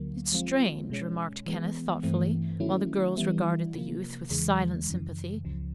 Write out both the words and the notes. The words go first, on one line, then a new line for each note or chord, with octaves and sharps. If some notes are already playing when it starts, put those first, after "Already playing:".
"It's strange," remarked Kenneth, thoughtfully, while the girls regarded the youth with silent sympathy.
Already playing: D2 D3 F#3 A#3
F3 G#3 C4 F4
B2 G#3 C#4
E3 G#3 B3
G2 E3 A3 C4
D#3 F#3 A3 C#4 E4
E3 G3 B3 E4
C3 F3 A#3
E2 C#3 E3 G#3
F#2 C#3 E3
C#2 C#3 F3